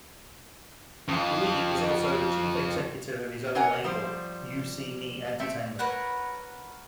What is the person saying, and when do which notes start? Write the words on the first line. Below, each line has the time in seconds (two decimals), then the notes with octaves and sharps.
Lee is also the chief executive of his own label, U C Me Entertainment.
1.08 F2 F4
3.55 C3 A#4 C#5 F#5 G#5
3.84 F3 G3 C5
5.40 A3 C4 E5
5.79 A#4 B4 C#5 F#5